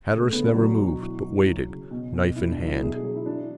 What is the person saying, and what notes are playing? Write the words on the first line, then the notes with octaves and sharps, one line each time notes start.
Hatteras never moved, but waited, knife in hand.
C#3 A3
A3
C#3 B3
D4
F#3 F#4
B2
E3
E3
F#3
C#3
B2
B2
B2 E4
D4
F#3
E4
B2 G#4
G#4
F#3 G#4
E4
E3 D4